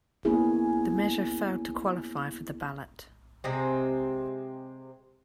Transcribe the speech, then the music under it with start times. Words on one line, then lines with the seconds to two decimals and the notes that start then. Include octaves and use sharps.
The measure failed to qualify for the ballot.
0.25 A#3 B3 C#4 E4 G#4
3.44 C3 G#3 C4